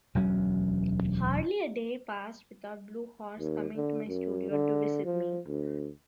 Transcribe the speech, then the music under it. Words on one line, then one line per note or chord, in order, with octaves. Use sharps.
Hardly a day passed without Blue Horse coming to my studio to visit me.
E1 D2 F#3 C#4
D#2
D3
F#2
D3
F3
D2